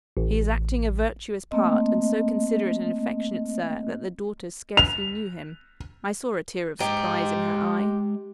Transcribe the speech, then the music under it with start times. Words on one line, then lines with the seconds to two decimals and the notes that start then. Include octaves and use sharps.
He is acting a virtuous part, and so considerate and affectionate, sir, that the daughter scarcely knew him. I saw a tear of surprise in her eye.
0.17 A1
1.51 A3 A#3 C4 D#5
4.77 F7
6.80 G#3 G4 D#5 A#5